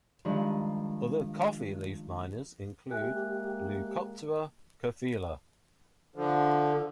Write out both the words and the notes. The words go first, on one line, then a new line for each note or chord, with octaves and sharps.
Other coffee leafminers include "Leucoptera coffeella".
G2 D#3 F3 G#3 D4
G#3 A#3 G4 E5 G#5 F#6
D3 F3